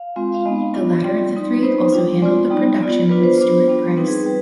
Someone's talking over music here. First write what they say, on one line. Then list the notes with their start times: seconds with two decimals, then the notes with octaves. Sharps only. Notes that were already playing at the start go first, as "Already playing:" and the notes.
The latter of the three also handled the production with Stuart Price.
Already playing: F5
0.16 G#3 C4 F4
0.34 F5
0.45 G#3 B3 D#4 D#5
0.74 B3 D4 F4
1.03 G3 C4 F4 D5
1.34 G3 C4 D#4
1.53 B4
1.63 B3 D#4 C5
1.93 G3 D4 F4
2.22 G#3 C4 F4 D5
2.50 G3 B3 D#4
2.80 B3 F4 D5
3.09 B3 D4 F4 B4
3.24 C5
3.38 B3 D4 F4 C5
3.68 G3 B3 D4 F4
3.97 G3 C4 D#4 B4
4.08 G#4
4.18 B4
4.26 G3